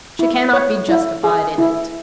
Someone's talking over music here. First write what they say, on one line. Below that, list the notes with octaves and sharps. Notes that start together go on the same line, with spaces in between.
She cannot be justified in it.
E4
C#5
E4
G#4
E4